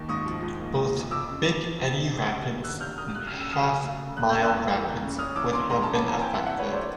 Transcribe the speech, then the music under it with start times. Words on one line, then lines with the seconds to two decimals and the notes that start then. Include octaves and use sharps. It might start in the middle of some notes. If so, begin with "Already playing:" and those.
Both Big Eddy Rapids and Half Mile Rapids would have been affected.
Already playing: D#2
0.09 G#2 C#6 D#6
0.26 F3
0.43 G#2
0.60 A#3
0.77 G#2
0.94 F3
1.11 F2 D6 E6
1.28 C#3
1.45 F2
1.62 F3
1.79 F2
1.96 C#3
2.13 G3
2.30 F#2
2.47 G1
2.64 D#3 E6 F#6
2.81 G3 F6 G6
2.98 F#2 D#6 F6
3.15 A3 F#6
3.27 C#3 F6
3.40 E6
3.49 F#2 D#6 F6
3.66 F#3
3.83 A3
4.00 C#3
4.17 E2 F#6
4.30 C#3 G6
4.43 E6 F#6
4.51 E2
4.68 E3
4.85 E2
5.02 C#3
5.18 C#4 D#6 F6
5.36 E3 D6 E6
5.53 G2 C6 D6
5.70 G#3 A#5 C6
5.82 A5 B5
5.87 C#4
5.95 A5 B5
6.03 E3 G#5 A#5
6.21 C4 G5 A5
6.33 E5 F#5
6.38 E3
6.46 E5 F#5
6.55 G2 B4 C#5
6.71 A3 C5 D5